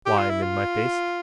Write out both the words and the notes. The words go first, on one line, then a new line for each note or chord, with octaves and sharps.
Wine in my face.
G4
F4
E4
F4